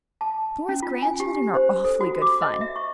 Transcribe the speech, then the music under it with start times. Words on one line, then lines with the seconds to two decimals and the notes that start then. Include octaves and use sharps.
Nora's grandchildren are awfully good fun.
0.21 A5
0.69 C#4
0.82 F4
1.02 G#5
1.20 G4
1.55 C5
1.84 A4
2.01 F#4
2.22 D6
2.42 D#5
2.61 E5
2.76 C#6